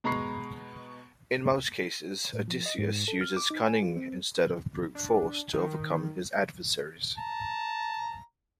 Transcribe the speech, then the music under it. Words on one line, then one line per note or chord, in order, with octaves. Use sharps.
In most cases, Odysseus uses cunning instead of brute force to overcome his adversaries.
B2 G#3 A#5 B5 C#6 C7
A2
F3
D#5
G#2
A4
F6
D6
D#4
G#5
F4
C4
D4
D#3
A5 A#5